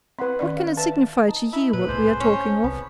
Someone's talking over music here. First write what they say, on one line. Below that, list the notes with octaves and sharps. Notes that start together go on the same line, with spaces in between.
What can it signify to you, what we are talking of.
C4 B4 F#5 C6
D#3 C#4 D5
F5
B4 E5 A5
D#4 A5
E4
A#2 B4
C2 A2 G#4 C5 D5 G#5
C#4 G#4 A5
C2 B3